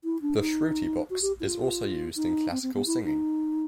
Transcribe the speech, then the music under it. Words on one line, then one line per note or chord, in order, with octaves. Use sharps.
The shruti box is also used in classical singing.
E4
D4
D#4
F#4
G4
E4
F4
D#4
C4
C4
B3
E4
D#4